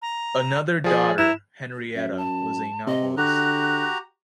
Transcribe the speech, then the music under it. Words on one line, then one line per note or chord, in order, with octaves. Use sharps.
Another daughter, Henrietta, was a novellist.
A#5
F3 G#4 D5 G#5
E4 A#5 E7
F#2 E5
A5
C3 D#5
D3 F#4 G4 A#5 F#6